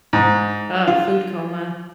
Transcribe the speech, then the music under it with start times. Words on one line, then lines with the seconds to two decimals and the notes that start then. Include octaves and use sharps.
uh, food coma.
0.13 G#2
0.87 F4